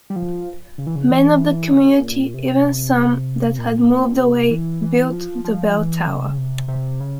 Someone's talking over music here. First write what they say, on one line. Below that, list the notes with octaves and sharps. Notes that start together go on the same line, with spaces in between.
Men of the community, even some that had moved away, built the bell tower.
G3
F3
C#3
E3
C#3
E3
C#3
A#2
C3
A#2
C3
E3
E3
F3
F3
E3
C#3
C3
C#3
C3
C3
C#3